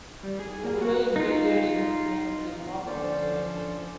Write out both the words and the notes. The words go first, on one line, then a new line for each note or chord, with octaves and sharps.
The Trailblazers nickname is not affected.
G3
G#4
A#3
F#4
F#6
D#4 F4
D3 F3 C#4 A4 C5 D5